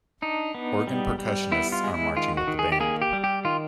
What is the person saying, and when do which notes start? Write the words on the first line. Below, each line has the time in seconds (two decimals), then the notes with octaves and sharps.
Oregon percussionists are marching with the band.
0.22 D4 D#4
0.55 B3
0.87 G3
1.19 G3
1.52 B3 E4
1.72 F4
1.84 G#3
1.94 E4
2.16 D#3 F4
2.37 F#4
2.48 D#3
2.59 G#4
2.72 G4
2.80 A#3 G#4
3.02 G4
3.13 G3
3.24 G4
3.45 D#3 F4